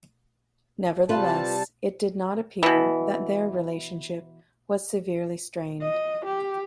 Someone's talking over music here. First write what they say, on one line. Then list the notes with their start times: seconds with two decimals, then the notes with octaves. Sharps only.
Nevertheless, it did not appear that their relationship was severely strained.
1.09 C3 G3 F4 B4 A5
2.63 B2 E3
5.82 D#5
6.26 G4